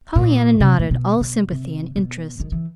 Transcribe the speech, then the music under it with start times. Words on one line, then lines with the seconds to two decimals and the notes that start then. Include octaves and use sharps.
Pollyanna nodded, all sympathy and interest.
0.16 A#2
0.60 C3
0.79 A#2
0.91 B2
1.21 B2
1.50 C3
1.96 B2
2.40 D#3
2.52 E3